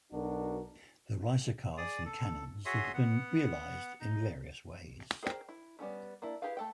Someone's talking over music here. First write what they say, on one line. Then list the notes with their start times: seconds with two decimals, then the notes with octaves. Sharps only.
The ricercars and canons have been realised in various ways.
0.12 B1 D4 F#4 A#4
1.77 G#4 D5 D#6
2.05 A4
2.65 F#4 G#4 C#5 E5 C6 D#6
2.94 B3 F#5
4.00 D#4
5.23 G#4 A#4 C5 D5 G5
5.49 E4
5.79 G3 B3 C#4 E4
6.22 A#3 D4 E4
6.42 E4 G4 G#4 B4 F5
6.57 A3 A4 G5